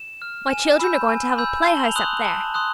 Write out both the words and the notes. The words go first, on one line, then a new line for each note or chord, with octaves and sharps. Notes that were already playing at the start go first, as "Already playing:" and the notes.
My children are going to have a play-house up there.
Already playing: E7
F6
G#5 E7
B5 E6 G6
G#5
B5 E6 G6
A5 G7
F#7
F7
C6 D#6 F#6 F#7
A5
C6 D#6 F#6